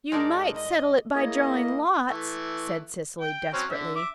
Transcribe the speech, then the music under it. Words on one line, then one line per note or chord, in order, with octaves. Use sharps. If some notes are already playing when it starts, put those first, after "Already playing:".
"You might settle it by drawing lots," said Cecily desperately.
G#2 G#3 D#4 A#4 D5 A5
D#5
A#3 E4 G#4 C#5 D#5
E3 A3
G5
F#3 C4 C#4
D3 E5
E5 D6